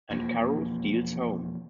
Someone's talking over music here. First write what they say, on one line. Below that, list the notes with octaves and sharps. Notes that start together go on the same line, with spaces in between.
"And Carew steals home".
E1 F2 F3 A#3